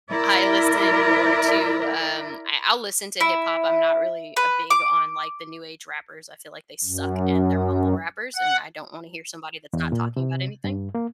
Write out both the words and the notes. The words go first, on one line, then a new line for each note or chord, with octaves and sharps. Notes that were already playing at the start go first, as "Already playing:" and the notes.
I listen more to, um, I I'll listen to hip hop, I'm not really, uh, big on like the new age rappers, I feel like they suck and they're mumble rappers, and I don't wanna hear somebody that's not talking about anything.
E4 A#4 D5 E5
E4
B4
D6
F#2
F#5
E2
A#2
C3
G2
A#3